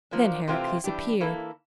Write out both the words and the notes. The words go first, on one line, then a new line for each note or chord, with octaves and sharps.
Then Heracles appeared.
F3 A#3 D4
C3 E3 A3 C4 F4
E3 G3 D4 G4
E3 A#3 E4 A4